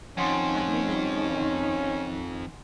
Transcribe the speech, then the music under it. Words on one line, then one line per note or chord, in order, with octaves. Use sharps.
"Have you known them long?"
F2 D#3 C#4 F#5 G#5 C6